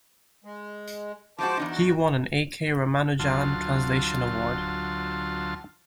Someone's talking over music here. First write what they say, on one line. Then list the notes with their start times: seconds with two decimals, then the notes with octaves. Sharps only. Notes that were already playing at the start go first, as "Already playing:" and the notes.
He won an A. K. Ramanujan Translation Award.
0.44 G#3
1.39 F3 G#3 F#4 C5 A5 D6
1.57 E2 D4 D#4
1.70 F#4
3.20 D2 F#3 F4 A5 C6